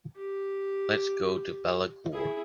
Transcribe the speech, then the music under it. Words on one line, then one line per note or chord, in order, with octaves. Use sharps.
Let's go to Balaguer.
G4
E4 G#4